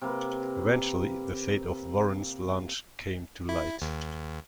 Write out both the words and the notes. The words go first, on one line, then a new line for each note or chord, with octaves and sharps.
Eventually, the fate of "Warren's" launch came to light.
C3 A#3 B4
E4
D#2